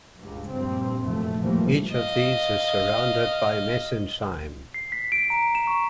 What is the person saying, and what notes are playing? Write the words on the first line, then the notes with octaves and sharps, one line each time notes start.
Each of these is surrounded by mesenchyme.
C#2 G2
A#1 G2 C4
F1 A#1 F#2 A3
D#2 A2 E3 F3 G3 A#3
D#5 F5
C7
B6
D7
A#5
E7
C#6